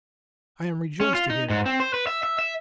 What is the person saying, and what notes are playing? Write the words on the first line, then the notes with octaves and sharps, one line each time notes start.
I am rejoiced to hear it.
C#4
F4
D#4
G#2
C4
C5
B4
E5
E5
E5